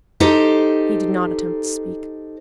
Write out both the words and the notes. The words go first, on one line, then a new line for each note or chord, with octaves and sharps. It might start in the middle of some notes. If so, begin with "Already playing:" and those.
He did not attempt to speak.
D#4 G4 A4 C5